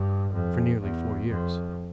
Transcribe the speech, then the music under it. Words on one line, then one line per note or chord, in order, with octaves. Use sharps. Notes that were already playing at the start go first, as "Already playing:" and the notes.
"For nearly four years."
Already playing: G2
F2
E2
F2